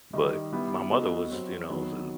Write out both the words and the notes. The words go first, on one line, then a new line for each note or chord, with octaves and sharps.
but my mother was, you know, the
D#3 G3 D#4
G3 B3 E4 G4
B3 F#4 A4 D#5
F#3 C4 F#4
D#3 F#3 B3